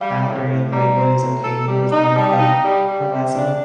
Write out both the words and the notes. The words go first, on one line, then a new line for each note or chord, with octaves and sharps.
boundary of, like, what is okay and what is not okay for myself.
G3 F5
A2
A2
G3 A#5
C4
A2
A4
G3
D#4
G3 A5
G5
F5
D#4 G5
G3
G3
C3
D4